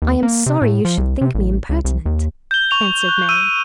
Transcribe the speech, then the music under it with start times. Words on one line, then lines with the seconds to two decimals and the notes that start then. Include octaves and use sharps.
"I am sorry you should think me impertinent," answered Mary.
0.02 D#2
0.23 A#3
0.46 C3
0.62 A2
0.85 F3
0.98 C2
1.21 C3
1.35 A1
1.69 C#2
1.85 C2
2.06 D#2
2.51 G6 G7
2.71 C#6 F7
3.09 F#6
3.29 E6 D#7